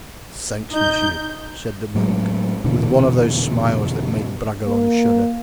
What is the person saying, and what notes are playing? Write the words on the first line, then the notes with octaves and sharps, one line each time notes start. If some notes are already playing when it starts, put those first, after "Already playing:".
"Thanks, monsieur," said the monk, with one of those smiles that made Bragelonne shudder.
D#4 G6
A2 F#3 G#3
F1 B2 D3 E3
A#3